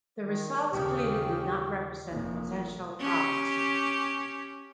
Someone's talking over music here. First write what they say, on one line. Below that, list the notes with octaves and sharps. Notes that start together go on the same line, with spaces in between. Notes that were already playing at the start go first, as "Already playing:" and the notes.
The results clearly did not represent the potential of the team.
D#3
D#2 C#3 G4
F1 A#3
C#4 G4